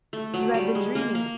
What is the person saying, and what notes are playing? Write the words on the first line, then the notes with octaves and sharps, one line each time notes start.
You have been dreaming.
A3
F#3
G3
G#3
A#3
A#3